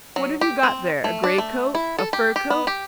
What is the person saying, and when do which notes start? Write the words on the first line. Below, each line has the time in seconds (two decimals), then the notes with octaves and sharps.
What have you got there, a great-coat, a fur coat?
0.16 F#3
0.41 G4
0.63 C4
1.04 A3
1.24 D4
1.38 A3
1.75 E4
1.99 A4
2.13 G4
2.36 G4
2.50 B3
2.67 G4